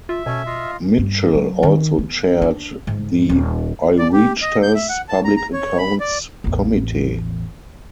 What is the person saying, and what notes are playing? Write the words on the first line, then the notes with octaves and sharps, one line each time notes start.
Mitchell also chaired the Oireachtas "Public Accounts Committee".
F4 E5
B2 C#4 A4 G#5
F4 D#5 F5
G2
F#3
D#3
B3
D4
G#2
D#1
D5
G4
D#5
G6
E5
F#5
A5
A#5
A#5
C#5
B5
D5
A1 E2